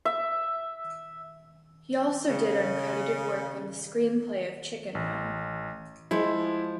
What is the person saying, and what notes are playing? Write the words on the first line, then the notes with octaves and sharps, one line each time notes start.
He also did uncredited work on the screenplay of "Chicken Run".
E5
C#3
A1
F3 G#3 A3 E4